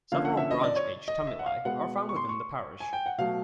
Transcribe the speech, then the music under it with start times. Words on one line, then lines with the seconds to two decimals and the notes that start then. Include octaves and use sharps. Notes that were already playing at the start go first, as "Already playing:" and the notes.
Several bronze age tumuli are found within the parish.
0.12 D3 F3 A#3 C#4 F5
0.25 F#5
0.37 E5
0.51 D#5
0.63 D5
0.76 C#5
1.08 D#5
1.27 E5
1.39 F#5
1.46 F5
1.65 B2 G#3 B3 F#5
2.09 C#6
2.16 C6
2.29 C#6
2.80 G#5
2.93 G5
3.06 F#5
3.18 B2 F#3 A3 F5